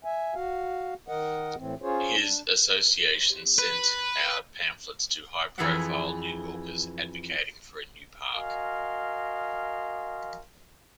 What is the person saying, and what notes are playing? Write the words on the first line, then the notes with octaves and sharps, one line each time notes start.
His association sent out pamphlets to high-profile New Yorkers, advocating for a new park.
E5 G#5
F#4 F5
D#3 A#4 D#5 F#5
A2 E3 C4
C#4 F4 G#4 C5 C#5
D4
B4
F2 E3 G#4 A4 E5 F#5
F#4 A#4 D#5 F5 G#5 C6